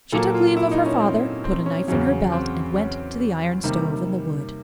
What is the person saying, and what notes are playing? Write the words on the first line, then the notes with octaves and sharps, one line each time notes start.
She took leave of her father, put a knife in her belt, and went to the iron stove in the wood.
A#2 F#3 A#3 A4
F4
E4
D#4
C#4
C4
C4
C#4
E2 C#3 F#3 C#4
C4
C#4
C3 D#3 G3 A#3